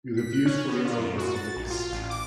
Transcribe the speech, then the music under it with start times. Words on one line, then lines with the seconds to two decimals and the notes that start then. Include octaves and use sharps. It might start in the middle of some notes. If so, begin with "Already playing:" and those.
Reviews for the album are mixed.
0.17 B6
0.33 F#6
0.46 C#4
0.69 B3
0.85 F4
0.98 F#2
1.18 F#4
1.35 A6
1.56 A#1
1.70 F4
1.91 A1
2.10 D6